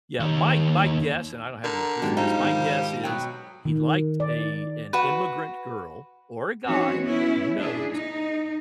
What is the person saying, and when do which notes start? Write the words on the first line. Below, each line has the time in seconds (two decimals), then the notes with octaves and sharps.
yeah, my my guess- and I don't have any proof of this- my guess is, he liked a an immigrant girl- or a guy, who knows-
0.20 D#2 D#3
1.64 D3 A#4
2.02 G#2 F#3 A#3 D4 G4
2.17 F3 G3 D#4
2.38 G#2 D#3
3.04 B2 F#3 G5
3.65 D#3
4.20 D5
4.93 F#4 B4
6.67 E3 C4 C#4 D#4 F#4 C#5
7.01 B3 C#4 E4
7.58 D4 E4 G#4
7.91 D#4